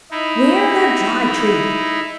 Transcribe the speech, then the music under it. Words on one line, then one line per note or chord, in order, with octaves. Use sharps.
Ware the Dry Tree!
D#4 E4